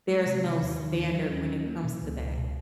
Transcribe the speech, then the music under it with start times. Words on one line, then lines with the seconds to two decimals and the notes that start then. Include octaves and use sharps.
there's no standard when it comes to that.
0.09 G#3
0.26 C3
0.43 D#3
0.61 D#2
0.79 D#3
0.97 D#2
1.15 F#3
1.31 C#4
1.49 F#3
1.66 A#3
1.84 B2
2.02 C#2
2.19 C#2
2.37 B2